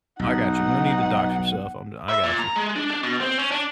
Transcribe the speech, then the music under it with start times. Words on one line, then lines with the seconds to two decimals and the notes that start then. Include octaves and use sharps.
I got you, no need to dox yourself, I'm d I got you.
0.19 B1 D#4 F#5
2.09 E5
2.24 A#2
2.39 A#5
2.56 G#3
2.76 D4
2.91 D4
3.03 B2
3.21 C4
3.38 C#4
3.51 D4